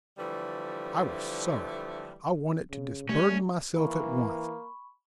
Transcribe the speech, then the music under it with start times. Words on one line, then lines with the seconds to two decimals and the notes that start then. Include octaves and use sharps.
I was sorry; I wanted to disburden myself at once.
0.17 D3 E3 F3 G3 A3
2.71 C#3
3.09 G3 A3 C#4
3.76 E3 A#3 B5 C#6